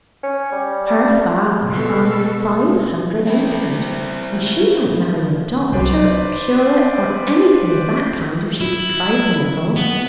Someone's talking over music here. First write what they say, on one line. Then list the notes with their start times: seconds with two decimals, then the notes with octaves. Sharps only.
"Her father farms five hundred acres, and she might marry a doctor or curate or anything of that kind if she contrived a little."
0.23 C#4
0.52 G3
0.87 G3
1.69 B2 A4
3.27 C4 E4
5.72 C2 F#3 B4 C5 D5
8.60 E4
9.76 B3